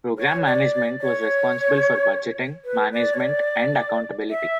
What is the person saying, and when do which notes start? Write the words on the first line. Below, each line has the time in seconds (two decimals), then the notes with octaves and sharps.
Program Management was responsible for budgeting, management and accountability.
0.18 C#5
0.46 D5
1.01 C#5
2.65 B4
2.92 D5
3.14 C#5
3.20 D5
4.30 E5